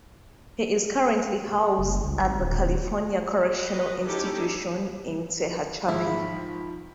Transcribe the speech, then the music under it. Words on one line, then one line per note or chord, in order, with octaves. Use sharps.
He is currently housed at the California Correctional Institution in Tehachapi.
F#1
C#2
G#1
D1
F#4 B4 D#5
C#4 D#4 E4 G4 A4
G#2 D#3 F3 E4 B5